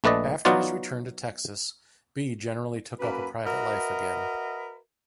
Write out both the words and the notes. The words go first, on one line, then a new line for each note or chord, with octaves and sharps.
After his return to Texas, Bee generally took up a private life again.
A#1 A3 B4 D5 D#5
F#3 B3 D#4 F4 F#4 D5
F#2 A#3 B4
F#4 A#4 B4 D#5 E5